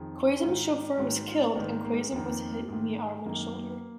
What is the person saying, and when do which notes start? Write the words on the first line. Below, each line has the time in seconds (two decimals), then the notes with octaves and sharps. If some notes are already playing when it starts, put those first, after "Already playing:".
Qasim's chauffeur was killed, and Qasim was hit in the arm and shoulder.
Already playing: F2 D#3 G#4
0.42 G#2 D#3
0.98 G#2 D#3 F#4
1.27 F4
1.55 G#2 D#3 B3
1.84 A#3
1.94 G#3
2.12 F2 D#3 A#3
2.68 G#2 D#3
3.25 F#2 D#3 A#3